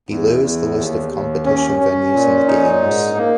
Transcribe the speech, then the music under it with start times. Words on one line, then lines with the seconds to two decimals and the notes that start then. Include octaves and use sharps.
Below is the list of competition venues in the Games.
0.09 E2
0.43 E2
0.77 D#2
1.12 D#2
1.45 C#4
1.79 C#4
2.14 A#2
2.48 D#4
2.82 G#2
3.17 A#3